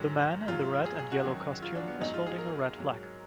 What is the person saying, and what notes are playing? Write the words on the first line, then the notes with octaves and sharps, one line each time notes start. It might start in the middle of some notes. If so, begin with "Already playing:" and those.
The man in the red and yellow costume is holding a red flag.
Already playing: G#2 D#3 F#3
G#2 F#3 F4
G#4
G#4
F#4
F#2 D#3 F#3
F4
D4
B3
G#2 F#3 D#4
F4
G#4
A#4
G#2 F#3